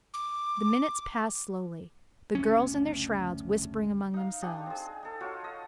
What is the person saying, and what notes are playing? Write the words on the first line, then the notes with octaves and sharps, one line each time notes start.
The minutes passed slowly, the girls in their shrouds whispering among themselves.
D6
F#1 D2 C#4
D#4 F5
D4 D#4 G4 G#4
C4 G#4
D#4 A4
F4 F#4 C#5
D#5